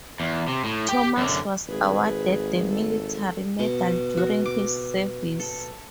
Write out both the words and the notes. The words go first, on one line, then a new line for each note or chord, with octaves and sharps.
Thomas was awarded the Military Medal during his service.
E2
C3
A2
G4 G5
F#2 D3
G#1 G#4 B4
A4
B2
F#4
D6
A4